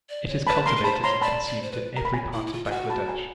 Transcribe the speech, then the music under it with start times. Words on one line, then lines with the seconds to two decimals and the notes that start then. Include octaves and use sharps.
It is cultivated and consumed in every part of Bangladesh.
0.09 D5
0.28 C#5
0.47 B4 A5 B5
0.66 A#4 A#5 C6
0.76 B4
0.84 C5 A5 B5
1.03 C#5 A#5 C6
1.21 D5 A5 B5
1.47 D5
1.62 C5
1.72 B4
1.96 A#4 A#5
2.05 B5
2.14 G#5 A#5
2.33 E4
2.47 E4
2.53 F4
2.65 F4
2.71 F#4 F#5 G#5
2.90 A5 B5
3.08 G#5 A#5